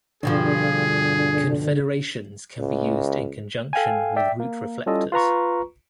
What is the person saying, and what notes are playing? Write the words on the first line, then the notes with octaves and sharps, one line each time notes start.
Confederations can be used in conjunction with route reflectors.
G2 B2 D3 F3 G#4
C#2
A4 F5 G5 G#5
D5 E5 G5 B6
A#3
G3 C#4 E4 F4 A4 D#5
F4 B4 A#5 C#6